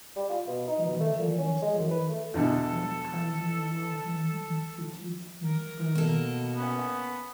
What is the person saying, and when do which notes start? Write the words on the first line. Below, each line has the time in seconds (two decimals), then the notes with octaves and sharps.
He continued his studies at Kaiser Wilhelm Institut in Berlin.
0.16 G3
0.29 F4
0.47 B2
0.68 D#4
0.86 B2
1.00 A3
1.18 A#2
1.38 C#4
1.62 G#3
1.79 F#2
1.91 B4
2.09 A3
2.34 E2 B2 D3 A4
5.45 A#4
5.95 B2 A#3 A4
6.56 B3 C#4